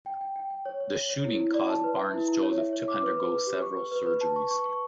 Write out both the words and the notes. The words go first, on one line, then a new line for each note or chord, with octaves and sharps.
The shooting caused Barnes-Joseph to undergo several surgeries.
G5
G5
G5
G5
C#5
C#5
C#5
C#5
E4
E4
D5
A5
B4
E5
E4
E4
C#5
E5
C#5
D6
B4
B4
B4
G4
C#6
B4
B4
B4
A5
C#6
C#6
C#6